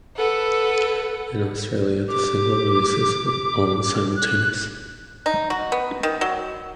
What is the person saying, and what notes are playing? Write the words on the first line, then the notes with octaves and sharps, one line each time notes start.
In Australia, the single releases were almost simultaneous.
A4 B4 F#5
G4 D6
F#6
D#4
F#4
B3
D#3
F#3